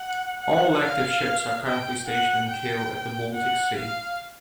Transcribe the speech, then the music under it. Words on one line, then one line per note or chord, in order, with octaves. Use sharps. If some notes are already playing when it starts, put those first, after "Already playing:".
All active ships are currently stationed in Kiel at the Baltic Sea.
Already playing: F#5
F#5
F5
G5
F#5
G5
F#5
F5